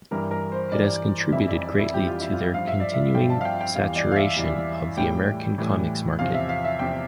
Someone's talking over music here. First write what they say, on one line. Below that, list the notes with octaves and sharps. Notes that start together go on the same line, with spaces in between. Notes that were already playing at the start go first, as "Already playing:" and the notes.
It has contributed greatly to their continuing saturation of the American comics market.
G2 E3 G3 A#4
A#4
C5
G2 E3 G3 D5
F2 E3 G3 E5
D5
D5
E4
F2 E3 G3 G4
F4
E4
F4
G2 F3 F5
E5
D5
E5
G2 F3 G5
A5
F5
G5
G5
E2 E3 G3 F5
D5
F5
E5
E2 E3 G3
A2 E3 G3 G5
A2 E3 G3
E2 C3 F3 F5
E5
F5
E5
E2 C3 F3 G5